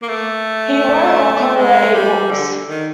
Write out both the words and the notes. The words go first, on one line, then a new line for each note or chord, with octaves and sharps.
He wrote or co-wrote eight books.
A#3
A3
G#3
G3
D3
D#3